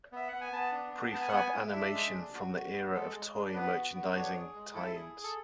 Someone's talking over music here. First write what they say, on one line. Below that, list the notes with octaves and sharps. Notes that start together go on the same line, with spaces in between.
Prefab animation from the era of toy merchandising tie-ins.
B3 E5
B3 F#5
G#5
B3 A5
D4
B3
B3 A5
G#5
F#5
B3 G#5
E4
D4 E5
G#3
D4
F#4
F#4
B3
G#3 A4
G#3
D4
B3 B4
F#4
B3
D4 C#5
G#4
G#3
E4 A4
G#4
G#4
A4